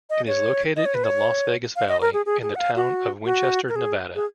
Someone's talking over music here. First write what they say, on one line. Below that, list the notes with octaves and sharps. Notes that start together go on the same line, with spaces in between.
It is located in the Las Vegas Valley in the town of Winchester, Nevada.
D#5
C#5
D#5
C#5
B4
C#5
F5
D#5
A#4
G#4
G#4
G#4
F#5
F5
F#4
F#4
A#4
G#4
G#4